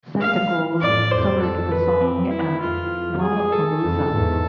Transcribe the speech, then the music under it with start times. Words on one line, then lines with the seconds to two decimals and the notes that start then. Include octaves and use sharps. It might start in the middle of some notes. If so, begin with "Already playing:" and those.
Santigold covered the song at Lollapalooza.
0.21 F5
0.81 F2 A2 D5
1.11 F2 C5
1.42 A4
1.71 B4
2.01 C4
2.31 E4
2.61 F2 F4
3.21 G#4
3.52 A4
3.81 F2
4.11 E2 G#2